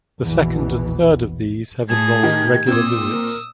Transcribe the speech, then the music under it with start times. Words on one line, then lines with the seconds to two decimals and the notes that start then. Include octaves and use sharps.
The second and third of these have involved regular visits.
0.21 A#1 E2 B2 E3
1.89 A2 G#4 A5 G#6
2.23 D#3 D#4 G4
2.68 A#2 C4 D#6 E6
3.11 A#4